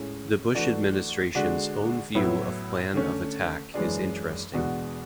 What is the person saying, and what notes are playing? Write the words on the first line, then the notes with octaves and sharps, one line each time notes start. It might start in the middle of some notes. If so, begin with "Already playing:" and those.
The Bush administration's own view of "Plan of Attack" is interesting.
Already playing: A2 G#3 C#4
E3 A3 D4 F#4
D3 G#3 D4 F#4
A2 F#3 B3 E4
D3 A3 C#4
F#2 E3 G#3 D4
E2 B2 G#3 D4 F#4